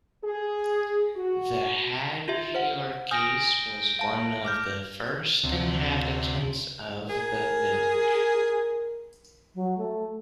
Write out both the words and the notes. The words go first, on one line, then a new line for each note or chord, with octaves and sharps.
The Hadjiyiorkis was one of the first inhabitants of the village.
G#4
F#4
F4 G4 E5
C5 F#5
G#5 D#6 F6 G6 A#6 D7
F5 A5
D6 F6 G6
D2 C3
G#4 A#4
F#3
A3